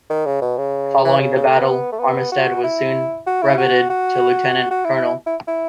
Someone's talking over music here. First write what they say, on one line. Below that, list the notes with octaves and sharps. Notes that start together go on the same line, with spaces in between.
Following the battle, Armistead was soon breveted to lieutenant colonel.
D#3
C#3
B2
C#3
E3
C#3
C#3
A3
B3
A3
B3
F#4
E4
F#4
E4
F#4
F#4
F#4
E4
E4
E4